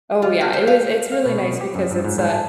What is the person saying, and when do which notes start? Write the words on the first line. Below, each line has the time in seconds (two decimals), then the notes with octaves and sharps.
Oh, yeah. It was it's really nice because it's, uh,
0.22 F4
0.41 A#3
0.53 C5
0.67 F5
1.12 F5
1.26 B2
1.38 B2
1.61 G4
1.75 F#2
1.91 G2
2.04 G#2
2.18 G#2
2.30 A5